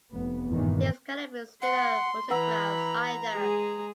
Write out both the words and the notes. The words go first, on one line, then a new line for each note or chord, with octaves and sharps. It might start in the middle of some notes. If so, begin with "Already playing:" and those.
These cannot be studio photographs either.
F1 B3
E2 G2 A#2 D#3 E3
F#5 C6
E3 B4 F#5 A#5 B5 E6
G#3 G#4